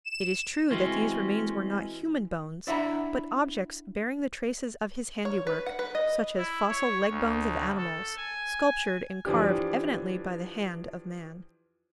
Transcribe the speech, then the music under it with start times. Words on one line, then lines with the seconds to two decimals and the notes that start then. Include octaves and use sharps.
It is true that these remains were not human bones, but objects bearing the traces of his handiwork, such as fossil leg-bones of animals, sculptured and carved evidently by the hand of man.
0.05 E7
0.71 E3 G#3 C4 C#4 E4 F#4
2.67 D4 E4 E5 F#5 A#5 B5
5.25 C#5
5.47 B4
5.66 F#5
5.79 B4
5.95 D#5
6.37 E4
6.69 C#5
7.08 D2
7.77 A4
8.17 G#5
9.25 E3 F3 D4 G4